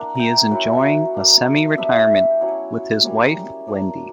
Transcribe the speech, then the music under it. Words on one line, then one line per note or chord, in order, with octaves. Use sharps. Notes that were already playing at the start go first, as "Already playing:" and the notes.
He is enjoying a semi-retirement with his wife, Wendi.
Already playing: A#3 D4 E4 F#5
G5 A#5
F#3 C#4 E4 F#5
A#3 D4
G3 B3 D4 E5
G5
F#3 C#4 E4 F#5
G3 A#3 C#4 F#5
F#3 A#3 D4